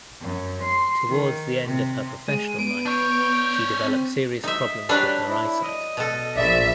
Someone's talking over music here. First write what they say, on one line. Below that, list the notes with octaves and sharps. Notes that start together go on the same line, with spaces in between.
Towards the end of her professional life she developed serious problems with her eyesight.
F#2
C6
D#3
C3
G#3 D#7
B3 D7
D4 C#5 G6
C4
D#4 E5
F#3 G3 D4 B4
E4
D#5
B2 A4
A#1 D5 E5